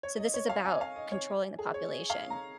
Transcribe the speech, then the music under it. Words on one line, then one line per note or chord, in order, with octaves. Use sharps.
So, this is about controlling the population.
C#5
D#5
C#5
F5
G#5
F5
D#5
C#5
G#4
C#5
F5
A#5